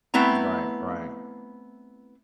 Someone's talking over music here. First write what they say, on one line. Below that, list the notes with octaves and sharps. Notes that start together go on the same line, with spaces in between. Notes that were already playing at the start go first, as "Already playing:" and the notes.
Right, right.
A3 B3 C4 E4 A#5